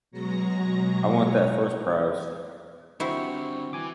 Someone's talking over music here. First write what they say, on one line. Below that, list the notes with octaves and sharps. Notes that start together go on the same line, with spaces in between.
I want that first prize.
B2 F#3 G#3 A#5 C#6 A#6
D3 G3 C4 E4 F#4 C5 C#6
E3 G#5 D6